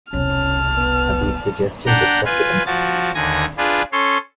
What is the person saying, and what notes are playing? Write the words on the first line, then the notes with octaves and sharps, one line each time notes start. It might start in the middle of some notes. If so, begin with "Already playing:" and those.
Are these suggestions acceptable?
E1 C2 C#4 A5 F6
B3
D4 F#5 G5 A#5
F4 B4 G#5
F3 F#4 A6
D#2 D3 G#5 A#6
D4 F4 G#4 B4
C#4 A4 C#5 C6